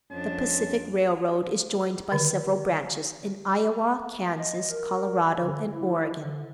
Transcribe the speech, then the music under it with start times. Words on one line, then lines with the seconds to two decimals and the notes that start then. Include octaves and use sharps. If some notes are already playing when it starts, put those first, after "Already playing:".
The Pacific Railroad is joined by several branches in Iowa, Kansas, Colorado, and Oregon.
0.11 F2 C#4 D4 A5
2.12 D3 D#3
4.38 D#5
4.70 A#4
5.39 D3
5.73 E4
6.16 D3